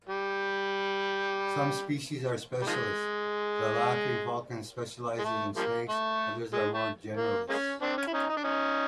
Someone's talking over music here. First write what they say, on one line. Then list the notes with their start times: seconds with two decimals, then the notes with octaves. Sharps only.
Some species are specialists, the laughing falcon specialises in snakes, others are more generalist.
0.09 G3
2.61 G3
2.67 D#3 F3 G#3
5.19 G#3
5.24 A3
5.57 F3 G3 A#3
5.89 A3
6.53 G#3
6.74 A3
7.17 A#3
7.49 G#3 A#3 C#4
7.81 C4 D4
7.98 C#4
8.07 E4
8.14 C#4 D#4
8.29 D#4
8.37 D4
8.44 C#4 D#4